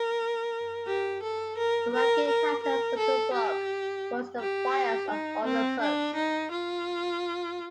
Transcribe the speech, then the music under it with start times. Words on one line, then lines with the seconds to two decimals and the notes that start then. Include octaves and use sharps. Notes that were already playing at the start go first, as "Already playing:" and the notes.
The working title for the book was "The Fires of Olympus".
Already playing: A#4
0.86 G4
1.23 A4
1.58 A#4
1.93 A#4
2.28 A#4
2.63 A#4
2.98 A4
3.33 G4
4.40 G4
5.10 D#4
5.45 C4
5.81 D4
6.15 D#4
6.51 F4